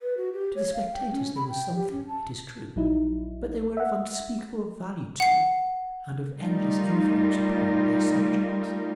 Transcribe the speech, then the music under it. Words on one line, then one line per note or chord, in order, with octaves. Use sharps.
To the spectators they were something, it is true; but they were of unspeakable value to, and of endless influence upon their subjects.
B4
F#4
G4
C#5
F5
G5
C#4
B5
G5
G4
C#4
A5
A#1 F#3 D#4 E4
E5 F#5
F#5 C7
G3 A3 D#4 F4 A#4